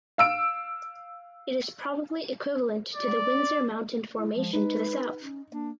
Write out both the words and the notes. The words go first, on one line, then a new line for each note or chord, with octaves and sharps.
It is probably equivalent to the Windsor Mountain Formation to the south.
F5 E6 D7
D5
E4
F3 G#3
D#4 B4
C#4
A#3 D4